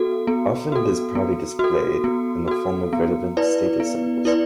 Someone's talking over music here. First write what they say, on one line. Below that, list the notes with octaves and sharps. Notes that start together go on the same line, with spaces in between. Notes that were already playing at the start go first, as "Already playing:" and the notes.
Often it is proudly displayed, in the form of relevant status symbols.
Already playing: B3 F#4 A4
B3
F#4 A4
B3
F#4 A4
B3
F#4 A4
B3
E4 B4 D5
B3
E4 B4 D5